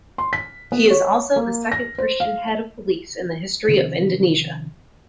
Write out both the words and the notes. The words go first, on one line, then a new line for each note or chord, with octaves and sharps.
He is also the second Christian head of police in the history of Indonesia.
C6
B6
B3
C#5
A#3
A#6
C5
F5
C3 D#3 F3 C#4